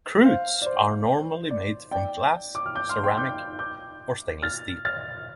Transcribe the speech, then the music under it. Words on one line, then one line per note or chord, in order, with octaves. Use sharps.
Cruets are normally made from glass, ceramic, or stainless steel.
C5 F5
D5
C5
D5
D5 G5
D6
F6
D6 G6
C6 F6
G5 C6
D6 G6
D6 G6
F6 A6
F6 A6